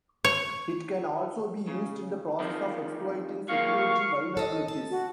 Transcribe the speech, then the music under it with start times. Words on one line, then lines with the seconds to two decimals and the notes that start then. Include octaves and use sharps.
It can also be used in the process of exploiting security vulnerabilities.
0.24 C#5
1.68 C#3
2.40 F2 D#3 F3
3.48 F#3 A#3 F4 F5 C#6
4.37 A4 D#5
4.68 A5
4.90 F#4